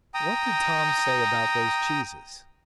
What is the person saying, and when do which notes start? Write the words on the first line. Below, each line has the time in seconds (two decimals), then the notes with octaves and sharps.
"What did Tom say about those cheeses?"
0.14 G5 A#5 D#6